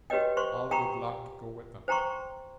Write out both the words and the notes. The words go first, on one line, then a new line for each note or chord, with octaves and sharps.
All good luck go with them.
F#4 G4 B4 C#5 D#5 G5
C5 C6 C#6
G4 G5 A#5 B5 C#6
C5 G5 A#5 C6 C#6